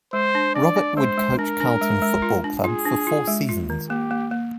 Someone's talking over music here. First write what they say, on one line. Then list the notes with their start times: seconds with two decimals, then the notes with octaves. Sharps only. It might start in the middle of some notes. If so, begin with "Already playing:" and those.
Robert would coach Carlton Football Club for four seasons.
0.13 G#3 C5
0.35 D4
0.55 D4 D5
0.76 D4
0.97 G#3 C5
1.18 G#3
1.38 D4 A#4
1.60 D4
1.81 G#3
2.02 G#3
2.22 F4
2.44 D4
2.64 F4 G#4
2.86 D4
3.07 F4
3.28 G#3
3.49 F4
3.70 D#3
3.90 A#3 G4
4.11 A#3
4.31 A#3